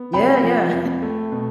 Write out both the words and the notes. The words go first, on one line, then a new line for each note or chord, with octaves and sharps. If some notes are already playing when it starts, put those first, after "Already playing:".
Yeah, yeah.
Already playing: B3
C3 G5 B5
F3
F2
A3
B2